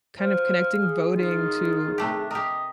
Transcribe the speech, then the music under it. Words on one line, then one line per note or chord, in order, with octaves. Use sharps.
kind of connecting voting to
C5 F5
G#4
D#3 F4 G#4
C3 A3 D4 G4
G4 A#4 D#5